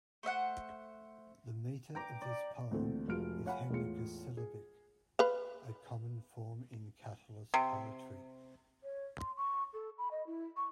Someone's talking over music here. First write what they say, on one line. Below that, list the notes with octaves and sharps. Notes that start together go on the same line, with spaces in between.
The meter of this poem is hendecasyllabic, a common form in Catullus's poetry.
A3 C5 E5 F#5
G5 A#5 D6
D5
D2 A#2 E3 C4 A4
F1 G#3 F4 F#4 F6 D7
C#5 F5 F#5 G#5 B5
E2 A2 G#3 F4 C#7
G#4
B4 F5
C3
C#5
C6
C#6
A4
B5
D#5
E4
C#6